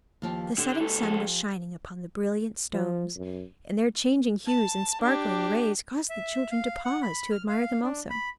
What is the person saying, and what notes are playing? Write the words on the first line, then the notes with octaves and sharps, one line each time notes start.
The setting sun was shining upon the brilliant stones, and their changing hues and sparkling rays caused the children to pause to admire them also.
D#2 F3 G4
D3 G4
C#2 A4
F3 G4 G#5
F3
F#2
A5
D4 G4
E5
F5
F#5
B5
F6
F5
D4
B5